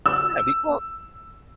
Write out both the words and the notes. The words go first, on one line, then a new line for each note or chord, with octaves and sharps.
Yeah, the e well,
E6